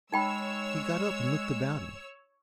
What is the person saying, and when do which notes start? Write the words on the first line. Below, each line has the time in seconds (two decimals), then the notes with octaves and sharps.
He got up and looked about him.
0.12 G#3 D#4 C#5 G5 B5 E6